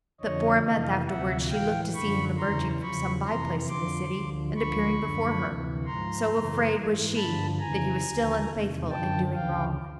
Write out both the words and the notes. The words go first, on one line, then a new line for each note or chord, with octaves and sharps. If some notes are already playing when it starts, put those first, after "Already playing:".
But for a month afterwards, she looked to see him emerging from some by-place in the city, and appearing before her; so afraid was she that he was still unfaithful, and doing wrong.
F2 D3 F3 C#5 D#5
F2 C3 E3 D#5 F5
D2 C3 F3 E5 F#5
A2 E3 F5 G5
F#2 D3 F3 B5 C#6
E2 C#3 E3 A#5 C6
E2 C#3 F3 B5 C#6
F2 C3 E3 A#5 C6
F2 D3 F3 C6 D6
D2 D3 F3
D2 D3 F3 B5 C#6
F#2 D3 F3
D2 C3 E3
G#2 F3 A#5 C6
F#2 C#3 E3
G#2 E3
G2 D3 F3 A5 B5
F2 C#3 E3 G#5 A#5
D#2 D3 F3
E2 C3 D#3
F#2 D3 F3 G5 A5
D2 C#3 F3 F5 G5